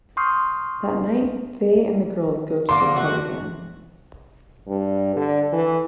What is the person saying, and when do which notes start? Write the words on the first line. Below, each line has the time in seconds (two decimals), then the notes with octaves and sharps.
That night they and the girls go to the club again.
0.17 C6 C#6 D#6 F6 G6 C7
2.69 D3 A#3 C6
2.96 A3 F#4
4.67 G2
5.16 D3
5.52 E3